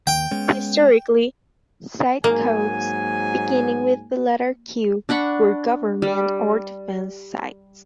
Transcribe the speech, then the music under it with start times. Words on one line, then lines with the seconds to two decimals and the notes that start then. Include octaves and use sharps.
Historically, site codes beginning with the letter Q were government or defence sites.
0.07 D#2 G5
0.31 G#3 B3 C#4
2.24 G#2 F#3 A#3 G#5
5.09 D4 F#5 B5 C#6
6.02 G3